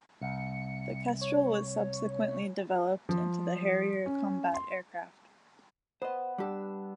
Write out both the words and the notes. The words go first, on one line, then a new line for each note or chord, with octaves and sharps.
The Kestrel was subsequently developed into the Harrier combat aircraft.
C2 C#7
C#5
F3
C#4
C6
B3 C5 D#5
G3 D4 G4 E6